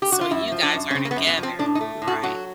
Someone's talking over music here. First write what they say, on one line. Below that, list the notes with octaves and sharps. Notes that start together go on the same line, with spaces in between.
So you guys are together, right.
G4
F#4
F4
F#2 E4
F3
D4
F#2
C#4
C#3 C4
A#3
B3
F#2
B3
F3
C4
A2 D4
D#4
A3
A2
F#4
F#3 F#4